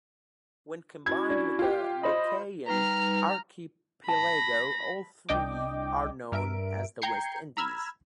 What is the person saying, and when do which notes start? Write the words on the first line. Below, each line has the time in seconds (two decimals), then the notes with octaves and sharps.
When combined with the Lucayan Archipelago, all three are known as the West Indies.
1.06 C#4 E4 F#4 G#6
1.29 D4
1.59 F4 G4
2.03 F4 C5 D#5 B5
2.66 G3 D#4 B4 A#5 F6
4.09 A5 B5 A#6
5.29 C2 D4 D#5 G5 D6
6.32 G2 A#4 E5 D7
7.02 G5 A#5 G6 G#6 C7 C#7
7.57 A#5 B5 E6 F6 G#6